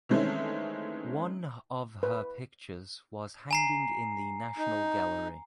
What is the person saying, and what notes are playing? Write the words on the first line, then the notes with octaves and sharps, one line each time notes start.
One of her pictures was hanging in the National Gallery.
D#3 E3 G#3 A3 C4 C#4
B4
G#5 A#5 C7
D#4